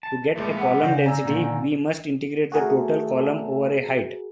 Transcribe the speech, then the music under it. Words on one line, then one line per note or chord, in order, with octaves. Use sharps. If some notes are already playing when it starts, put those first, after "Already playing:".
To get a column density, we must integrate the total column over a height.
A5
A#1 A#2 G#3 A3
B3 F#5
C#3 D5 G6 A#6
D5 G#5 A#5 E6
A#2 D3 D#3
A3 F#4 G#4 A#4